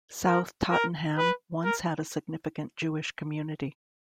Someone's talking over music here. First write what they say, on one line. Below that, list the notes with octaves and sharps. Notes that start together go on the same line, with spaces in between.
South Tottenham once had a significant Jewish community.
A#4
A#4
B4
A#4